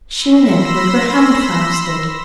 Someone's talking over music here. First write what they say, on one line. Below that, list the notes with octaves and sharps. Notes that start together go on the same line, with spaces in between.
She and Edward were handfasted.
B5 C6 E6 A#6